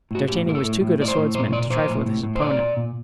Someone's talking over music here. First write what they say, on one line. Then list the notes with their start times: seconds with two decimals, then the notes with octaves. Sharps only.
D'Artagnan was too good a swordsman to trifle with his opponent.
0.11 A2 F#4
0.28 A2 G4
0.46 A2 A#4
0.55 A4
0.64 A2
0.81 A2
0.99 A2 D5
1.08 C5
1.17 A2
1.35 A#2 C5
1.52 A#2 D5
1.70 A#2 C5
1.88 A2
2.06 A2
2.23 A2
2.35 C5
2.41 A#2 D5
2.59 A#2
2.77 A#2